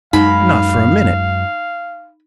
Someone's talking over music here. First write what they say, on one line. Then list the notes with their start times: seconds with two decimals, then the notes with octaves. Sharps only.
Not for a minute.
0.13 F#2 G#3 D#4 F5 F#5 B5